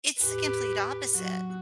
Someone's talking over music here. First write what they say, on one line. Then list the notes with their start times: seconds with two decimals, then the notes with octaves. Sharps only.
It's the complete opposite.
0.21 E2 A2 G4 B4
1.15 F#3 F#4